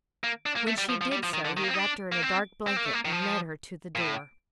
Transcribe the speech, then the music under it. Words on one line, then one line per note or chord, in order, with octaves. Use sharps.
When she did so he wrapped her in a dark blanket and led her to the door.
A#3
D4
A#3
A3
G3
F3
F3
G3
F3
D#3
D3
D#3
A#3
C4
D#4
D4
A#3
C4
C4
A#3
A3
A#3
D#3
F3
A#2
A2